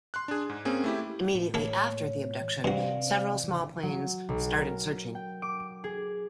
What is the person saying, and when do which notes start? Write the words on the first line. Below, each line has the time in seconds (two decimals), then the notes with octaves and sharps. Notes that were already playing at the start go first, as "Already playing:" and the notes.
Immediately after the abduction several small planes started searching.
0.14 C6 F#6
0.28 D4 G#4
0.50 G#2
0.65 A#3 C4 C#4 G#4
0.84 A3 E4 G4
1.35 A2
1.54 A#3 E4 A4 C#5
2.64 G2 C3 F#4 C5 D5 F5
3.44 C#3 E3
3.83 F#3
4.29 B1
4.52 A#4
5.15 G5
5.42 D6
5.84 G#4